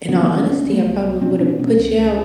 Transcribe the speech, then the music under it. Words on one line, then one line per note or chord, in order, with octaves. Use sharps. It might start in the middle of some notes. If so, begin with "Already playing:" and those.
in all honesty, I probably would have put you out
D3 B3 C#4
A3 B3
D2
B3 C#4
D2 C4 D4
B3 C#4
D2
A3 B3
C2
C2
B2 C4 D4
B2 C4 D4
B2 B3 C#4
C#2
C#2